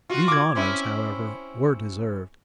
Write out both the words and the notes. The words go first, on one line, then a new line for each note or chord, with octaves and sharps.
These honours, however, were deserved.
F4 F#4
D6 G#6
C4 C#4 E4